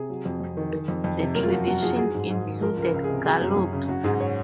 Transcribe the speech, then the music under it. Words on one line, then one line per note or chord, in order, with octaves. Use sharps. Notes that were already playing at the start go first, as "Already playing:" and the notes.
The tradition included galops.
Already playing: C3 G#4
F#3
F2
F2
D#3
D#3
F2
F2
C3
F#2 A#4
F4
F3 F#4
F#2 F#4
F3 G#4
F#3 G#4
G#2
G#2
D#3
F3 A#4
C#2
A#4
C#2
G#4
C3
F#3 G#4
F#2
F#2
C#3
F#3 F#4
G#2 G#4
C#5